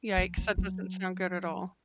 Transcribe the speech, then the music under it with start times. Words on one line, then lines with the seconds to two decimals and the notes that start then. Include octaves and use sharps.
Yikes, that doesn't sound good at all.
0.18 F3
0.37 F#3
0.58 F#3